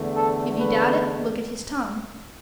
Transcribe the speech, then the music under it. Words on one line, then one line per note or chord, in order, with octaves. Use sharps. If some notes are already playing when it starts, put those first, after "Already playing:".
If you doubt it, look at his tongue.
Already playing: E2 D3 A3
A4
B4